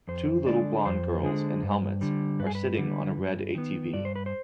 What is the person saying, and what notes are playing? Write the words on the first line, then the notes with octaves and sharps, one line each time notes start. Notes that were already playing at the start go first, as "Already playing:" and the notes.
Two little blond girls in helmets are sitting on a red ATV.
F2 C5
D3 G#3 D5
F2 C5
D3 G#3
G2
D3 G3
G2 B4
G#4
B4
D3 G3
G2
D#3 B3
G2 D5
C5
B4
C5